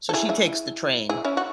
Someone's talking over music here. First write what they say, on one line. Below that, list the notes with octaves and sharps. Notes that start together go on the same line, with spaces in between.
so, she takes the train
A4
E4 G#4
E4 G#4
E4 G#4
C#4 E4
F#4